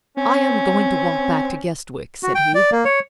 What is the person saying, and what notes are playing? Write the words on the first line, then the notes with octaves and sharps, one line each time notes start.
"I am going to walk back to Guestwick," said he.
C4 C#4
F#4
G5
D5
A#3
C#5